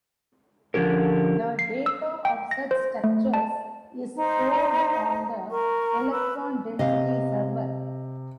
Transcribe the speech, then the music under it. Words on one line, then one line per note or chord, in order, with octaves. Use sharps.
The data of such structures is stored on the "electron density server".
D3 F3 C#4 G4 A#4
C7
E6
G5
A#6
C5
A3
A5
D#4 C5
A#4 C#6
B4 E6
C3 D#5 F5